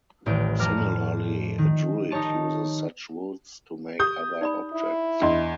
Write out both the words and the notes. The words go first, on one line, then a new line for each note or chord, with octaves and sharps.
Similarly, a druid uses such woods to make other objects.
D#1 A1 G5 D7
F2 A#5 D6 F6
A2
D#3
D#4 G4 A#4 C#5 A5
G4 D#6 G6
D#4 D5 B5
E4
E2 D4 D#5 C6